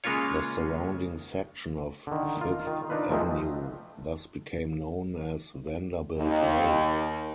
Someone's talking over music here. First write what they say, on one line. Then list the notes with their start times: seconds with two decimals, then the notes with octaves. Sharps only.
The surrounding section of Fifth Avenue thus became known as "Vanderbilt Row".
0.04 C#3 G#3 A#3 C#4 F4 C#5
2.07 D3 D#3
2.41 F4 A#4
2.67 D#3
2.90 D4 D#4 F4 B4
3.10 F3 G#3 A3 C4 D#4
6.18 D#2